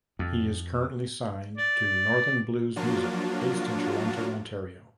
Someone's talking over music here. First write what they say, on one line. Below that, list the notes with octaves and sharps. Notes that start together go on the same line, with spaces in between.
He is currently signed to NorthernBlues Music, based in Toronto, Ontario.
F2
D5
F3 F#3 A#3 D4 F4 F#4